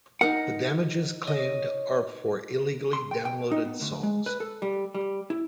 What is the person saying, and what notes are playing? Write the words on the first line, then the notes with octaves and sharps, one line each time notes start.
The damages claimed are for illegally downloaded songs.
D#4 A#4 F#5
C#5 D#5
C6
G5
G5
D#4
B3
D2
G#3
B4
A4
G3
G3
E4